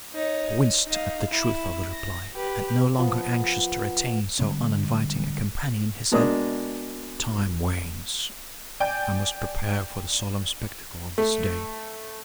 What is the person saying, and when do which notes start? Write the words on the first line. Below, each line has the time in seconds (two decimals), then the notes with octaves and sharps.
He winced at the truth of the reply; and no longer anxious to retain so uninviting a companion, he said, 'Time wanes; I must prepare for the solemn spectacle of this day.
0.14 D#4 C#5
0.87 D#4 F5
1.30 E4
1.94 A#6
2.34 G4 B4
2.98 F3 B3 D#6
4.39 D3 G3 G#3 C4
6.12 B2 G#3 A#3 D4 D#6
8.80 D5 G5 G#5 G6
11.18 A3